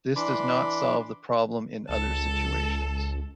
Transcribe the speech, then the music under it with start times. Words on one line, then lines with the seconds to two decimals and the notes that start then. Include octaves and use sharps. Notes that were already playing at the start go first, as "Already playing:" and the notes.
This does not solve the problem in other situations.
0.16 E3 D4 B5 C6 D6
1.89 C#2 A4